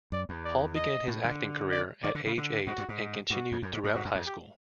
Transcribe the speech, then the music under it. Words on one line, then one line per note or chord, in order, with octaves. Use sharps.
Hall began his acting career at age eight and continued throughout high school.
F#2 D5
E2
D5
D#5
A2
D3
D5
D#3 D5
D3
C#3
D3
G#2 F#4
G2
G#2
G2 F#4
F2
F#2
G#2
A2
G#2 F#4
F#2
F2
G4